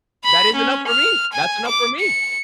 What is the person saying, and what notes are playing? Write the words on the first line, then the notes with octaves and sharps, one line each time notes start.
That is enough for me That's enough for me.
B5
C#4
F6
G#5
D6
C#7